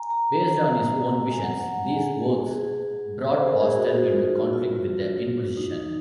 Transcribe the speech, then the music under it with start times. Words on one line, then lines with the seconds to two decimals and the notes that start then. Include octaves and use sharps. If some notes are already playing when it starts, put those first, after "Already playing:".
Based on his own visions, these works brought Postel into conflict with the Inquisition.
Already playing: G#5 A#5
0.10 A#5
1.32 G#5
1.43 F#5
1.52 G#5
1.72 F#5
1.93 G#4
2.53 G#4
3.33 C5
3.47 A#4
3.61 G#4
3.75 F#4
4.02 D#4
4.06 F4
4.36 F4
4.44 F#4
4.53 F4
5.57 D#4